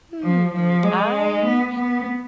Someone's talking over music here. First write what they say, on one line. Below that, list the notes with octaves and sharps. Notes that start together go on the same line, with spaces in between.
Hmm, I
F3
F3
G#3
B3
B3